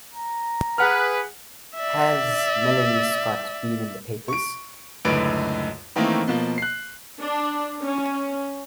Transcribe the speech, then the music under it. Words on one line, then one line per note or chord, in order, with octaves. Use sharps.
Has Melanie Scott been in the papers?
A#5
G#4 B4 F#5 F6
D5 E5
C#6 D7
C#2 F#2 A2 D3 B4 D7
D#3 E3 A3 A#3 C4 D#4
B2 F3 A#3
F#6 C7
D4
C#4